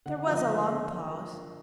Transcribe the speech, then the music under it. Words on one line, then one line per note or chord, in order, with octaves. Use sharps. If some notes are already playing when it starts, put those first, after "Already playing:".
There was a long pause.
D3 F#5
F#5
F3 A#3 D4 F4 E5
D#5
D3 E5
F5
F3 A#3 D4 F4 E5